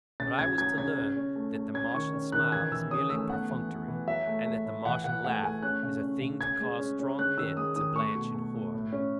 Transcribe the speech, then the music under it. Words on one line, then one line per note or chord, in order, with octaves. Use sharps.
But I was to learn that the Martian smile is merely perfunctory, and that the Martian laugh is a thing to cause strong men to blanch in horror.
C#3 A6
C#3 G#6
F#3 G#6
C#3 G#6
C#4
C#4
A3
A3
C#4 G#6
D#3 C#6
C#4
D#3 F#6
E3 G#6
E3 E6
C#4 D#6
A3 E6
B3 F#5
E3
B3
E3
F#3 E5
A3
A3
A2
E3 F#5
E3 F#5
A3 F#5
A3 G#5
C#4 F#6
C#3
C#4
C#3
C#3 G#6
G#3
C#4
C#4
G#3 F#6
D#3 E6
G#3 D#6
D#3 D#6
A3 C#6
B2
A3
A3
A2
C#4